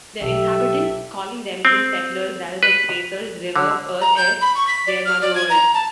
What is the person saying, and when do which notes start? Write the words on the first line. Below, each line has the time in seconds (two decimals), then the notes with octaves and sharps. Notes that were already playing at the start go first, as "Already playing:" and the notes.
Their inhabitants, calling themselves "Settlers" rather than "Spacers", revere Earth as their mother-world.
0.21 B1 G4 A4 E5
1.65 C4
2.63 B4
3.56 D3
4.01 A#5
4.16 G6
4.41 B5
4.55 C#6
4.67 B6
4.87 D5
5.05 F6
5.21 D5
5.35 G#6
5.49 A#5
5.74 A5